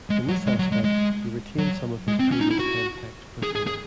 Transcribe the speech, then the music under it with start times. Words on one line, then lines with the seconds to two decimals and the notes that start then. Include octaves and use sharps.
In this aspect, he retains some of his previous hen-pecked persona.
0.10 G#3
0.28 F#3
0.47 G#3
0.59 F#3
0.72 G#3
0.84 G#3
1.58 F#3
2.08 G#3
2.19 C4
2.32 C#4
2.41 D#4
2.50 E4
2.59 F#4
3.43 G#4
3.55 G#4
3.67 G#4